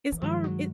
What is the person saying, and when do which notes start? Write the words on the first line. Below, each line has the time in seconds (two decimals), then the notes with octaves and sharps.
is our i
0.12 E3
0.22 G2 D#3 F3 G#3
0.44 F#3